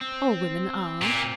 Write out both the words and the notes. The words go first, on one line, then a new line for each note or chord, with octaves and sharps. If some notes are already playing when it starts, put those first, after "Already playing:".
All women are.
C4
A#2